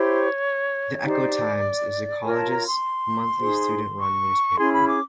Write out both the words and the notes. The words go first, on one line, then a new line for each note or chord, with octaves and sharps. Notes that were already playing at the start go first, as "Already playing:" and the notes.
"The Echo Times" is the college's monthly student-run newspaper.
Already playing: E4 G4 C5 C#5
D#4 G4 C5 D5
F4 A#4 C#5 G#5
A5
A#5
C6
D#4 G#4 C5
C#6
C#4 E4 G#4 C6
B5
D6